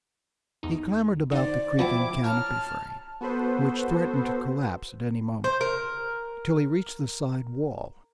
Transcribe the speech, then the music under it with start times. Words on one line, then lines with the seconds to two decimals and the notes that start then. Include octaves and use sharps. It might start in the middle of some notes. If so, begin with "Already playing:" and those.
He clambered about the creaking canopy frame, which threatened to collapse at any moment, till he reached the side wall.
0.63 E2 D#4
1.32 D3 D#4 C5 D5
1.79 F3 B3 C4 E4 A5 D6
2.24 C#5 A5 A#5 F6
3.21 B3 F#4 A4 B4 C5
5.44 C5
5.61 A#4